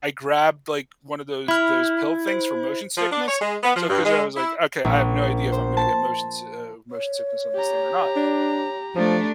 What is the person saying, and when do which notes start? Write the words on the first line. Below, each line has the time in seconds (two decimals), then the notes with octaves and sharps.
I grabbed, like, one of those those pill things for motion sickness, so 'cause I was like, "Okay, I have no idea if I'm gonna get motion si oh, motion sickness on this thing, or not."
1.48 E4 B5 F6
2.27 C5
2.97 F3
3.11 D4
3.28 C#5
3.41 G#3
3.63 B3
3.76 F3
3.89 G2
4.05 G#3
4.37 E4
4.85 A#1
5.52 C5
5.77 A5
6.91 C#5
7.55 G4 A#5
8.16 D4
8.96 F3 A3 D4